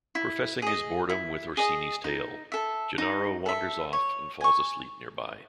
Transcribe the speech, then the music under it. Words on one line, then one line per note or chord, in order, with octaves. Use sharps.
Professing his boredom with Orsini's tale Gennaro wanders off and falls asleep nearby.
E4
G#4 D#5
E4
G#4 D#5
D#4
A4 E5
D#4
A4 E5
C#5
G#5 C#6